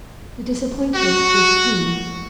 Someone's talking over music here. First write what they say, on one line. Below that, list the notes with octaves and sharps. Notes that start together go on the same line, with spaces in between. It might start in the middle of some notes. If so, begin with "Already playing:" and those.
The disappointment was keen.
F#4